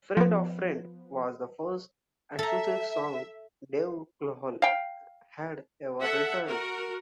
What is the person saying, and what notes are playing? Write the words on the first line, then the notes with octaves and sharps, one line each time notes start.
"Friend of a Friend" was the first acoustic song Dave Grohl had ever written.
F3 B3
A4 E5 A#5
F5 G5
A4 E5 F#5
F#4 A#4